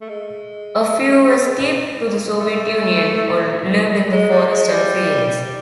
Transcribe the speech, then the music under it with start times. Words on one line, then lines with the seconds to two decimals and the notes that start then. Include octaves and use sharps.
A few escaped to the Soviet Union or lived in the forests and fields.
0.01 A3
0.09 G#3
2.40 A3
4.13 G#3
4.31 G3
4.51 G#3
4.69 G3